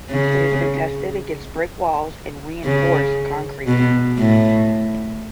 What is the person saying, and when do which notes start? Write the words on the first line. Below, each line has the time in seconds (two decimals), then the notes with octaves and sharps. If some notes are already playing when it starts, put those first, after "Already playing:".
It has been tested against brick walls and reinforced concrete.
0.11 C#3
2.65 C#3
3.67 B2
4.18 A2